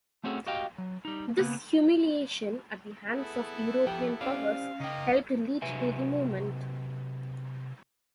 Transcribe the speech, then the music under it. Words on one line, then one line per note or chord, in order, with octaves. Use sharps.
This humiliation at the hands of the European powers helped lead to the movement.
A3 C4 C#4 F#4 G#4 A4
F#4 G4 D#5 F5 G5
F#3
G3 D#4
C#3 A#3 B3
B3 E4 G#4 A4
F3 G4 G5
C#4 G4 C5 D5 F5
C#3 A#3 D#4 D#5 G5
C3 F#3 B4 E5 G#5